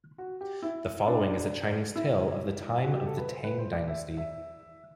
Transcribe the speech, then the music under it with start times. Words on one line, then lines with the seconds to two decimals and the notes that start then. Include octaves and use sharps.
The following is a Chinese tale of the time of the Tang dynasty.
0.18 F#4
0.41 G4
0.62 E4
1.08 D4
1.96 E4
2.84 F#4
2.96 G4
3.06 A4
3.18 B4
3.28 C5
3.44 B4
3.58 C5
3.72 D5
3.88 E5
4.17 E5